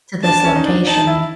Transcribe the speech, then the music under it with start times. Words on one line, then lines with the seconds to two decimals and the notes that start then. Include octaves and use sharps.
to this location,"
0.23 D4 A5
0.44 C#4
0.56 D#4
0.66 D4
0.87 D#4 A5
1.07 E4